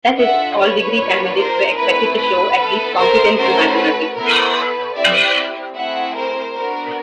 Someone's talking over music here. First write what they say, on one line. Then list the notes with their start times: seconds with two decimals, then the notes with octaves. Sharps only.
That is, all degree candidates were expected to show at least competence in mathematics.
0.18 D4 F4 A4 E5 F#5
0.58 B4 C#5
0.99 A#3 D4 F4
1.38 A#4 C5
1.78 A3 C4 E4 B4
2.17 B4
2.57 B3 E4 A4
2.97 A#4 C5
3.36 A3 C#4 F#4 A4 A#4 C5
3.76 B4
4.16 B3 E4 A4 A#4
4.57 B4
4.96 C4 E4 G4 D5 E5
5.75 A3 C4 E4 G#4 E5 F#5
6.16 A#4 C5
6.55 B3 D4 F#4 A#4